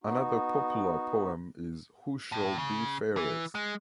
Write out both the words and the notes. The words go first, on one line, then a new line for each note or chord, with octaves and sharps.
Another popular poem is Who shall be fairest?
B3 D#4 F#4
A2
C#3
E3
G#3